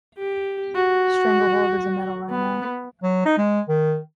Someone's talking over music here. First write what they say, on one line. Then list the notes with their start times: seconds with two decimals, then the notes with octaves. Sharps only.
Stranglehold is a metal rhino.
0.18 G4
0.75 F#4
2.31 B3
3.03 F#3
3.25 D#4
3.38 G#3
3.69 D#3